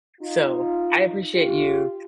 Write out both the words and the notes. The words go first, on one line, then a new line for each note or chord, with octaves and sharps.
So, I appreciate you.
D#4 F4
F4 G4